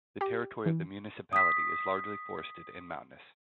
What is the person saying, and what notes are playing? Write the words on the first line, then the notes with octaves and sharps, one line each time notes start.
The territory of the municipality is largely forested and mountainous.
G4
E3
D#6 B6